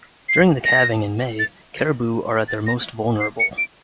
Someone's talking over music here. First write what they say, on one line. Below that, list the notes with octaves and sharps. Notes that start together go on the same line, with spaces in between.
During the calving in May, caribou are at their most vulnerable.
C7
A#6
A6
A6
A#6
C7
C#7
D7